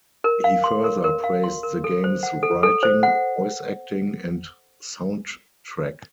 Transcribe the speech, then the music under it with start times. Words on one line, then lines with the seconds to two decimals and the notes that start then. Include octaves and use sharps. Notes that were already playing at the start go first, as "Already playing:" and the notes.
He further praised the game's writing, voice acting and soundtrack.
0.24 A#4
0.44 F5
0.64 C6
0.84 A#4
1.04 A#4
1.24 F5
1.44 C6
1.63 A#4
1.84 A4
2.04 C5
2.23 F#5
2.43 A4
2.63 A4
2.83 C5
3.03 F#5